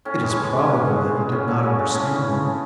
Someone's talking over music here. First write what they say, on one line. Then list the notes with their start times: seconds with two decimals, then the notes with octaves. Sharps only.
It is probable that he did not understand them.
0.05 A2 C#4
0.21 E3 G#3
0.38 A2
0.53 G#3
0.69 C#3 C#4
0.85 G#3
1.01 B2
1.17 G#3
1.32 A2 C#4
1.48 F#3 A3
1.63 C#3
1.79 G#3
1.94 A2 C#4
2.11 E3 A3
2.27 C#3
2.43 G#3